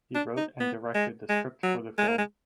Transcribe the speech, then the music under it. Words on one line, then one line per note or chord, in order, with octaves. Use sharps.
He wrote and directed the script for the film.
D4
D#4
B3
G#3
G#3
F#3
G#3
A#3
G#3